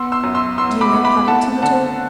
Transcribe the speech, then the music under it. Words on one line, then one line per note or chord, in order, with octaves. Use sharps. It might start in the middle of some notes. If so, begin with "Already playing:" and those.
"Do you know Paddington at all?"
Already playing: B3 C6 E6
C6 E6
F#2
C6 E6
B3 C6 E6
B5 D6
B3
B5 D6
A3 F#5 A5
D3 F#5 A5